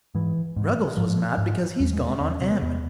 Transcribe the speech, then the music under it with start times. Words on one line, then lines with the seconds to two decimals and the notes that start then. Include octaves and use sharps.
Ruggles was mad because he's gone on Em.
0.15 G#2 E3
0.56 G#2
0.97 G#2 F3
1.38 G#2
1.80 E2 G3
1.93 G#3
2.00 C3
2.07 G#3
2.20 E2 C4
2.31 C#4
2.41 C3 C4
2.51 B3
2.62 E2 B3